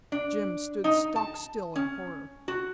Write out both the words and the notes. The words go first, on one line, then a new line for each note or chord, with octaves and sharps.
Jim stood stock still in horror.
D4
D#4
A5
C#4
F#4